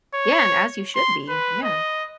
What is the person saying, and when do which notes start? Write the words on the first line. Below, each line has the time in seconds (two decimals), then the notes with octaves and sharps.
Yeah, and as you should be, yeah.
0.14 C#5
0.95 C6
1.29 B4
1.63 D#5